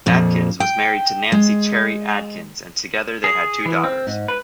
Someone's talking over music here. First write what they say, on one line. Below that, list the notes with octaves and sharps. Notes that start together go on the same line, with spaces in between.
Adkins was married to Nanci Cherry Adkins and together they had two daughters.
F2 A#2
G5
G#3
G#4
E3
C4
G#2
B4